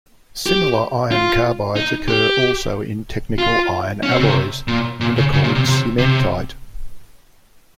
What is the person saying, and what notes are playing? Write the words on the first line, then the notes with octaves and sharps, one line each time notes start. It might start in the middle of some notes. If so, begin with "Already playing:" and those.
Similar iron carbides occur also in technical iron alloys and are called cementite.
G4
F4
D#4
G4
F4
C#4
C4
C#3
C3
A#2
A#2
C#3
C#3
A#2
C3
C3
C3